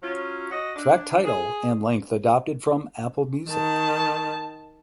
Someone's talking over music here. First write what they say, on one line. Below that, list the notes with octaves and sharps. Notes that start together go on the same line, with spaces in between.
Track title and length adopted from Apple Music.
F#3 C#4 F4
F#4 D#5
D4
G#4
D#3 A5